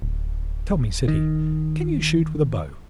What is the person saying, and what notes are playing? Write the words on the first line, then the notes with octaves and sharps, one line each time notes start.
"Tell me," said he, "can you shoot with a bow?"
D1
D#3